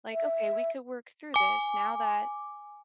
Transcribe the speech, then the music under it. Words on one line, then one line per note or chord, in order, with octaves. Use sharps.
Like, "Okay, we could work through this now that
E5
G#5 D6